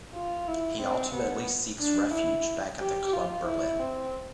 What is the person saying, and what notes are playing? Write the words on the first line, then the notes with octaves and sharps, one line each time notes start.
He ultimately seeks refuge back at the Club Berlin.
F4
E4
C4
B3
D4
E4
G4
F4
E4
C4